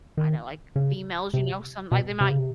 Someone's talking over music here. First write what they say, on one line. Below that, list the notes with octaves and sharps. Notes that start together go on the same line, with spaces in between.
I know, like, females, you know, some like, they might
D#3
C#3
C3
B2
C3
C#3
C3